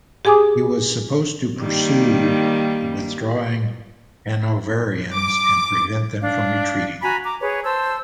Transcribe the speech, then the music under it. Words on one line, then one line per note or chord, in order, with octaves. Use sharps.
He was supposed to pursue the withdrawing Hanoverians and prevent them from retreating.
G4 G#4 G#5 D6 D#6
D#3 G3 A#3
D6
D4 F5
F#4 G#5 A#5 B5
A#5 D6
G#4 B4 C#5
C5 A5 E6